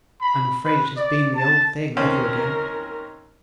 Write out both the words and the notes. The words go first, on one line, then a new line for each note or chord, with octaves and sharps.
I'm afraid it has been the old thing over again.
B5
B4
D5
A5
D#2 C4 C#4 A#4